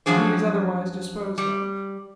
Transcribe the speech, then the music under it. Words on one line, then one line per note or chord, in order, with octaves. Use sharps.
He is otherwise disposed of.'
F#2 F3 F#3 D4 G#4 C5
G3